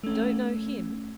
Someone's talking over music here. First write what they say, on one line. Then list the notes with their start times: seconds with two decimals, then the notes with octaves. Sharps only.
Don't know him.
0.03 A3 C#4